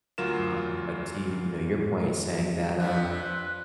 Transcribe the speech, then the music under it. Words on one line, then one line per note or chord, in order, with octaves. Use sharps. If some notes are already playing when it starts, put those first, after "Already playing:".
um, like to, you know, your point saying that, uh,
D2 F#3 F4 A#4 E7
C3 F3 D4 B4